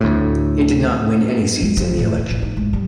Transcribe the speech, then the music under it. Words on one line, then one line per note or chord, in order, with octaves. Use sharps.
It did not win any seats in the election.
D2 A2
G#3
F3
A2
F4
A1
D#4
G#1
G3